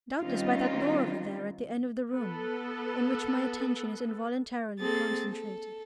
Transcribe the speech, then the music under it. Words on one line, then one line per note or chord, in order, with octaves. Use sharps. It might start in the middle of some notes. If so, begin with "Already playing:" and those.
Doubtless by that door over there at the end of the room, on which my attention is involuntarily concentrated.
D#3 G3 C4 C#4 D#4 F4
B3 A4
A#3 C4 G#4 A4 A6
A4